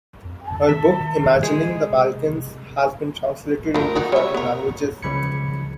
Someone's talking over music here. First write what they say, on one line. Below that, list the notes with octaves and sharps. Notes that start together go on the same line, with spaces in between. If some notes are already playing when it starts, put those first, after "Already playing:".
Her book "Imagining the Balkans" has been translated into fourteen languages.
F2
D#3 E5
G#3 G#4
C3
A3 D4 F4 A#4
D#4 F#4 G#4
G3 C#5 E5
B3 A#4
C#2 C#3 F3 B5 G#6 C#7